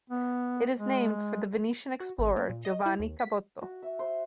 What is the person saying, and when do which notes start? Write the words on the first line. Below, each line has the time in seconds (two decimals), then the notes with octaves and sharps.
It is named for the Venetian explorer Giovanni Caboto.
0.10 B3
0.78 G#3
2.00 F#4
2.19 G#1
2.36 A#3
2.50 A#2
2.65 D#5
2.86 E4
2.99 D#2
3.19 B6
3.62 F#4
3.82 E5
3.99 C5